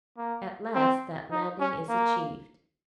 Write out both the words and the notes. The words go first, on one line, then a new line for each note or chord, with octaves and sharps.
At last that landing is achieved.
A#3
C4
D#4
C#4
A#3